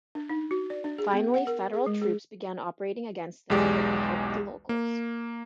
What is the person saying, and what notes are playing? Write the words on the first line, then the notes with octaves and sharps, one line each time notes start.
Finally Federal troops began operating against them with the help of the locals.
D4
D#4
F#4
D5
D4
G#4
B3
F#5
A#4
G#4
G#3
G#4
B1 E2 G#3 G4 D5
A#3